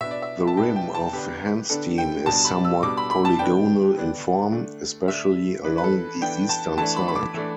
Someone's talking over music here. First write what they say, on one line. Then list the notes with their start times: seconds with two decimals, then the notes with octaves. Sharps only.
The rim of Hansteen is somewhat polygonal in form, especially along the eastern side.
0.01 B2 B3 D4 E5
0.11 D5
0.22 E5
0.47 A5
0.57 B2 B3 D4 G5
0.76 G5
0.95 A5
1.13 D3 B3 D4 G4
1.70 D3 B3 D4 A4
1.98 G5
2.26 B2 G3 D4 A5
2.45 B5
2.65 E6
2.83 B2 G3 D4 D6
2.97 B5
3.11 B5
3.25 A5
3.39 D3 B3 D4 G5
3.96 D3 B3 D4
4.52 D3 A3 D4
5.08 D3 A3 D4 E5
5.64 E3 B3 D4 B4
5.78 B4
5.84 A4
6.21 E3 B3 D4 G5
6.49 A5
6.77 E3 A3 D4 A5
6.96 B5
7.08 B5
7.16 D6
7.34 E3 A3 D4